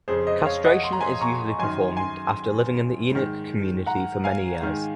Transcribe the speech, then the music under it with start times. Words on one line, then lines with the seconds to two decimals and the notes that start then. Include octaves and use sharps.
Castration is usually performed after living in the eunuch community for many years.
0.08 F2 C#3 G#4 C5
0.27 C5 D#5
0.45 C#5 F5
0.64 D#5 F#5
0.83 C6
0.93 A#5
1.01 G#5 C6
1.21 A#5 C#6
1.59 F#2 D#3 G#5 C6
1.97 G#5 C6
3.11 G#2 D#3
3.86 F#5 A#5
4.24 F5 G#5
4.62 G#2 D#3